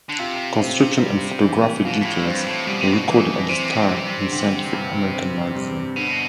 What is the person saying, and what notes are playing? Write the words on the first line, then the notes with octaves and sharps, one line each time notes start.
Construction and photographic details were recorded at the time in Scientific American magazine.
D3
C3 F4
C4
G3
E3
B2 F4
B2
A2
G2 C4
A2
B2 G3
C3
B2
E3
C3 C4
G3
D3
G2
C4
G3
B2 D3